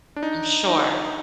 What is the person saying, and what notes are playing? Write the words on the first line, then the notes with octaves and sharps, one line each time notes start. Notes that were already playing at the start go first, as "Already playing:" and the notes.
I'm sure.
D4
D#4
D#4